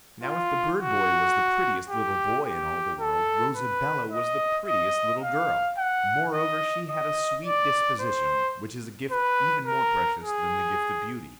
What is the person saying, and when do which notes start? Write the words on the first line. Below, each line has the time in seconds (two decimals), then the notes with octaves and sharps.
Now, if the bird-boy was the prettiest little boy in all the world, Rosabella was the prettiest little girl. Moreover, she had a sweet disposition, which is a gift even more precious than the gift of beauty.
0.23 F4
0.79 F#4
1.90 G4
2.45 G4
3.00 A4
3.56 B4
4.12 D#5
4.67 D#5
5.23 F5
5.78 F#5
6.34 D#5
6.89 D#5
7.45 D5
8.00 C5
9.11 B4
9.67 A#4
10.22 G#4